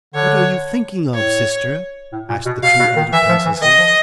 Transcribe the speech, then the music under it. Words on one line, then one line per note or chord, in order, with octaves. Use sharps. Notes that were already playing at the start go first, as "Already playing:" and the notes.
"What are you thinking of, sister?" asked the two elder princesses.
D3 C#5
A2 C#5
A2
A#2
B2
B2 F5
B2
D#3
E3 E5
F3
E3
D#3 D#5
F3